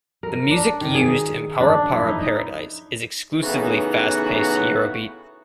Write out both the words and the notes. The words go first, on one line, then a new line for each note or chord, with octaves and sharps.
The music used in Para Para Paradise is exclusively fast-paced Eurobeat.
A#4
D4
D#3
G#4
D4
E4
D#4
A2 C#3 E3 B3 D#4 F#4